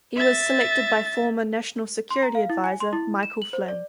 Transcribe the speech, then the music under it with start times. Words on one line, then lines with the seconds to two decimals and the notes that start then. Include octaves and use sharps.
He was selected by former National Security Advisor Michael Flynn.
0.16 E5 A6
2.11 C6
2.23 A#5
2.35 F5
2.50 E4
2.64 G#5
2.80 C6
2.93 E4
3.23 E7
3.42 F#7
3.53 C5
3.68 D5